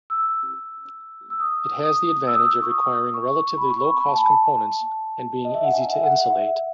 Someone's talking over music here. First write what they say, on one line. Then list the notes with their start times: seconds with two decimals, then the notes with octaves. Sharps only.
It has the advantage of requiring relatively low-cost components and being easy to insulate.
0.10 E6
1.30 E6
1.40 D#6
1.84 D#6
2.27 E6
2.35 D#6
2.43 E6
2.63 C#6
2.71 D#6
3.14 C#6
3.58 B5
3.70 C#6
3.84 B5
4.01 B5
4.08 A5
4.16 G#5
4.24 A5
5.45 D#5
5.54 E5
5.64 F#5
5.74 G#5
5.94 E5
6.04 F#5
6.33 E5